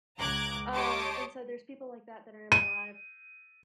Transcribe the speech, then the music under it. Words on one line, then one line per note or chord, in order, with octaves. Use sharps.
Um, and so there's people like that that are in my life
C#2 A#5 D6 F#6 G#6
G4 C#5 D#5 A5 C6 D6
D#7